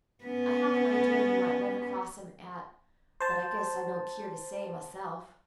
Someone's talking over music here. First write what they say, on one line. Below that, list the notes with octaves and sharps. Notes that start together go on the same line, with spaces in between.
I have an idea you might run across him at--but I guess I don't keer to say, myself.
B3 C#4
C5 A5